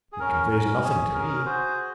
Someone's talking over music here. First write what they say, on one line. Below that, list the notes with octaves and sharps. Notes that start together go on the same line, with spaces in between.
"It conveys nothing to me!"
G#4
C#4 A#4
C#4 A#4
C#4 G#4
G#4 A#4
F#4 G#4 C5
F#4